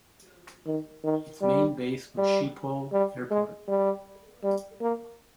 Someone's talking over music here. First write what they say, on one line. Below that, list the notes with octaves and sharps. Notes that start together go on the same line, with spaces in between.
Its main base was Schiphol Airport.
D#3
D#3
G3
G3
G3
G#3
G3
G3
A#3